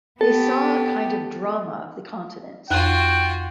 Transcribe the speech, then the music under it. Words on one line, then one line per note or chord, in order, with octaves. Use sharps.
They saw a kind of drama of the continents.
B3 G4 A4
F2 F4 F#4 G5 F#6